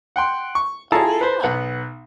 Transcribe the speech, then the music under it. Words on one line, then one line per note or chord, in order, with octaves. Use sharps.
Oh, yeah.
F#5 G5 C6
C#6
E4 F4 G#4 A4 A5 A#5
B4 C5
B1 B3 F#5